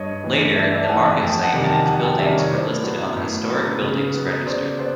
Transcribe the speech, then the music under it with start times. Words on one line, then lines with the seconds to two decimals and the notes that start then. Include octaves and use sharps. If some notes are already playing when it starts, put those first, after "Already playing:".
Later, the Market site and its buildings were listed on the Historic Buildings Register.
Already playing: G2 C#5 D#5
0.24 E3 A3
0.56 G2 D5 E5
0.72 D5 E5
0.82 A5
0.88 E3 F#5 G#5
0.93 A3
1.05 F#5 G#5
1.21 F2 G5 A5
1.43 F#5 G#5
1.53 C3 D#3 G3
1.64 G5 A5
1.86 F2 F#5 G#5
2.03 G5 A5
2.19 C3 D#3 G3 D5 E5
2.35 C#5 D#5
2.51 A2 C5 D5
2.84 F#3 B3
3.17 A2
3.50 F#3 B3
3.82 C#3
4.14 F#3 B3
4.47 C#3 C5 D5
4.79 B3 C5 D5